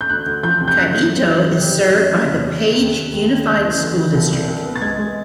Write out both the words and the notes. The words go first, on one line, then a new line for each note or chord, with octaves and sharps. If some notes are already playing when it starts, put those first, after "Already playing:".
Kaibito is served by the Page Unified School District.
G6
D2 F#6
D2
F3 G6
C3
G6
F#2 F#6
F#2
F#2
F#3
G#1
G3
D3
F#2
E3 F#6
E2
C3
C3
D#2
D#2
D#2
D#2
C#3 G6
E3
D2
E3
C2
C2
C2
B3
A6
G#3 G#6
G#3